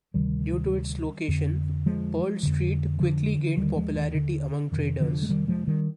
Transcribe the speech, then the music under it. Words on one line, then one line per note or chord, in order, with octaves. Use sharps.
Due to its location, Pearl Street quickly gained popularity among traders.
D2 C3 D#3 G3
F2 D3
F3 G#3
F2 D3
D3 F3
D#2 D3 D#3 G3
F3 G#3
D#3
D3
F2 C3 D#3
D3 F3
G#3
D#3 G3
F3 G#3
D#3 G3